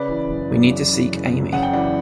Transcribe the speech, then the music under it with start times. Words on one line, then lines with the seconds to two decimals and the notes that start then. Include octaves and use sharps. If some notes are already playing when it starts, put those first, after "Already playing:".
We need to seek Amy.
Already playing: C#3 B4 D5
0.09 E3
0.30 F#1
0.50 F#2
0.70 C#3
0.92 E3
1.12 F#1
1.32 F#2
1.53 C#3 F#5
1.62 G5
1.73 E3 D5 F#5